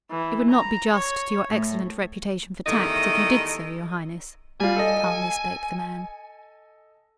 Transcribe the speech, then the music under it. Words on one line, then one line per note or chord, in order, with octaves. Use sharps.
"It would not be just to your excellent reputation for tact if you did so, your highness," calmly spoke the man.
E3
A#5
C#5
A2
E2 D#3 G3 A3 A4 D#5
G3 F4 G#5
A4 D#5